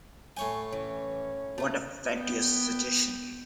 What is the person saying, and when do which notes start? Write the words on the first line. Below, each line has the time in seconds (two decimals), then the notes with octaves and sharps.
What a fatuous suggestion!
0.37 A2 C#5 G5 G#5
0.72 E3 C#4
1.58 A3 F4 A4
2.14 B3 G5